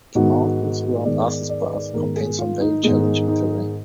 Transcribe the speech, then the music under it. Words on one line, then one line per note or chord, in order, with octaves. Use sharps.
The mountains around Arthur's Pass contain some very challenging terrain.
G#2 D#3 G#3 B3 F#4
G#2 D#3 G#3 B3 D5
D5
B4
D5
G#2 D#3 G#3 B3 A#4
G#4
F4
D#4
G#2 D#3 G#3 B3 D#4
D#4